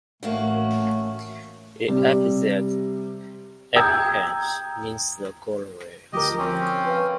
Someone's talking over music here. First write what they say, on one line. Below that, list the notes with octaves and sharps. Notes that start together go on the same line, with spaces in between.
The epithet "Epiphanes" means "the Glorious".
A1 A3 A#3 C#4 F#4
C3 G3
G5 A#5 D#6 E6 G6 G#6
D2 F3 G4 A#4 D#5
C4 C#4
B4 F5